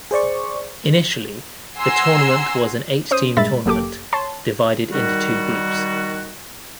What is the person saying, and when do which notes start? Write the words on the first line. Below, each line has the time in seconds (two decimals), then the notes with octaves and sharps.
Initially the tournament was an eight team tournament divided into two groups.
0.11 G#4 C5 D5 C#6
1.76 F#5 G#5 A#5 C6 E6
3.11 C#4 C5 D#6
3.37 G2 A#2 G#3 E5 B5 A6
3.65 G1 F#2 A#3 G4 A4 D6
4.13 C#5 A5 C6
4.92 D#3 G3 F#4